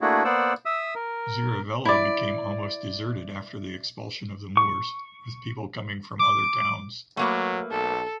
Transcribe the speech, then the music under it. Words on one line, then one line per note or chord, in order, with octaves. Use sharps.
Xirivella became almost deserted after the expulsion of the Moors, with people coming from other towns.
A3 A#3 D4 E4 F#4 G#4
A#3 B3 C5 D5 F#5 E6
E5 D#6 E6
A#4
E4 D5
C#6
D6
F#3 A3 A#3 B4
B1 A4